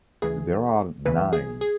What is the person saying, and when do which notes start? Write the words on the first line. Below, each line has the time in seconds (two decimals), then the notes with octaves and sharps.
There are nine.
0.22 D2 C#3 E3 G#4
1.06 D2 C#3 E3 B4
1.33 G#4
1.61 G#4